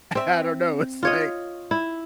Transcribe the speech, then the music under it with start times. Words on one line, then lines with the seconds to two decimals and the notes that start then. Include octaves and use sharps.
I don't know, it's like,
0.15 C4 E5
1.03 F4 C#5 D#5
1.71 E4